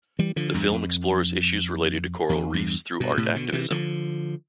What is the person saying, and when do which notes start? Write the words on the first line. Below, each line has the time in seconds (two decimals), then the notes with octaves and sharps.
The film explores issues related to coral reefs through art activism.
0.19 E3 G3
0.36 D3 F3
0.54 E2 G2
0.72 F2
2.29 E2
2.53 E2 G2
3.00 G2 B2
3.17 A2 C3
3.35 B2 D3
3.49 D3
3.52 C3 E3
3.70 D3 F3